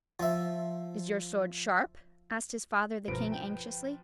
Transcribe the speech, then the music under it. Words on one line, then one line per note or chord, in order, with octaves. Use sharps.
"Is your sword sharp?" asked his father, the King, anxiously.
F3 E5
G1 B2 F3 A#4 B4 D7
G5